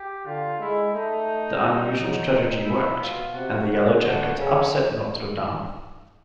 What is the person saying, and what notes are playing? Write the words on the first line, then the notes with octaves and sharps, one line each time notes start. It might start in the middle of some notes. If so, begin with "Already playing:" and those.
The unusual strategy worked, and the Yellow Jackets upset Notre Dame.
Already playing: G4
D3 F4
G#3 E4
A3 D#4
G3
F#3 D#4
D#4
E4
B2 F4
C3 F#4
C#3 F#4
D3 F#4
C#3 C#4